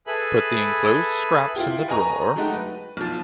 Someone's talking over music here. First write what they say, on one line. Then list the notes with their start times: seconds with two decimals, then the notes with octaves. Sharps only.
Put the enclosed scraps in the drawer.
0.07 G#4 A4 B4 E5 G#5 B5
1.56 E4 F4 G4
1.88 B4 D#5 G#5 A#5 C#6
2.36 F#3 G#3 A3 D#4 F#4 G4
2.53 B4
2.97 B1 F3